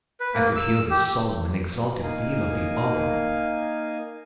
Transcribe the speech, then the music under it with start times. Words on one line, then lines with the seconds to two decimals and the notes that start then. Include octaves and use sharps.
I could hear the solemn and exalted peal of the organ.
0.20 B4
0.34 A#3
0.56 E6
0.91 G4
2.03 A#3 D#4 F5 G#5